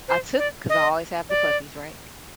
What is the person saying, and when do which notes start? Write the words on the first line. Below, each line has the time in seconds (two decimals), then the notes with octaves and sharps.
I took, 'cause I always have the puppies, right?
0.08 C5
0.39 D5
0.69 D#5
1.30 D5